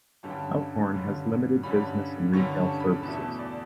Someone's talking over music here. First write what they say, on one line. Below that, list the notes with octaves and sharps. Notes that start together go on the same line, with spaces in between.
Elkhorn has limited business and retail services.
G2 D3 G3 C#4 A5
G5
A5
G2 D3 G3 C#4
G2 D3 G3 C#4 B5
G2 D3 G3 C#4 C#6
A5
B5
E2 B2 A3 A5
D5